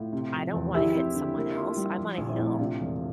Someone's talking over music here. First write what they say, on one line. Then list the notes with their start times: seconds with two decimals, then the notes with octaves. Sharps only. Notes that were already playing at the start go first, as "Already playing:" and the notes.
I don't wanna hit someone else, I'm on a hill.
Already playing: A2 F4
0.13 C3
0.33 F3
0.54 E2
0.74 F3 E4 G4
0.95 C4
1.15 D3
1.37 A#3
1.56 F4
1.77 G3
1.98 F3
2.17 A#1
2.28 C4 E4
2.38 A2
2.59 C3 D4 F4
2.80 E1